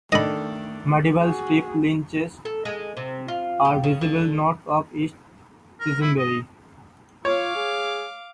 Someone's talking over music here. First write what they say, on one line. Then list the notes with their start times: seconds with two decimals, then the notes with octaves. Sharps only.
Medieval strip lynchets are visible north of East Chisenbury.
0.12 D#3 A3 D4 A4 D#5 B5
1.19 F#4 G#4
2.45 A4
2.65 G#3
2.97 C3
3.28 F4
3.65 G4
3.84 C#3
4.01 D3
5.80 A#4
6.01 E4
6.18 D#5
7.25 F4 C#5 F5 D6
7.56 G#4